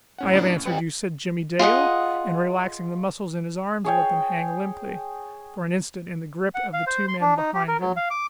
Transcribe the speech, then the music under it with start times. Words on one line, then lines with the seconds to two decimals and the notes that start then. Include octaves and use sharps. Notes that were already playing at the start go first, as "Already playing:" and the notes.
"I have answered you," said Jimmie Dale--and, relaxing the muscles in his arms, let them hang limply for an instant in the grip of the two men behind him.
0.18 A2 C#4 F#5
0.33 A#3 D4 E4
0.65 F2 G3 B3
1.59 F4 G#4 D#5 F#5
3.85 G#4 C#5 G5
6.55 F#5
6.73 F5
6.87 C5
7.08 C6
7.21 D4
7.37 D#4
7.54 G4
7.68 A#4
7.81 F#3
7.97 F5
8.11 D6